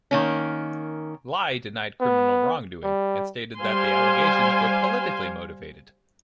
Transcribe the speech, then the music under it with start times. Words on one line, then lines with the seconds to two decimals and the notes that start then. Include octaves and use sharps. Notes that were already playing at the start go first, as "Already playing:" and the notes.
Lai denied criminal wrongdoing, and stated that the allegations were politically motivated.
0.11 D#3 A#3 C#4
2.01 B3
2.84 G3
3.59 G3 C5 F5 G#5 C6